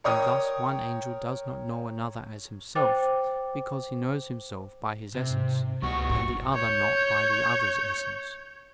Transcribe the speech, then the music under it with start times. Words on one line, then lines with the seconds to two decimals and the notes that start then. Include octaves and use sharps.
And thus one angel does not know another as himself, because he knows himself by his essence, and the other not by the other's essence.
0.04 A#4 C#5 G5 D#6
2.75 C5 G5 D6 A6
5.15 C3
5.30 G#2
5.82 C#2 G3 B3 F#4 C#6
6.10 A2 C#6
6.54 C#5 G6